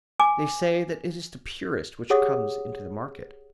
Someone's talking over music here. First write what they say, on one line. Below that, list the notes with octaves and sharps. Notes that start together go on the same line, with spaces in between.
They say that it is the purest which comes into the market.
G#5 D6
G4 G#4 C#5 F#5 D#6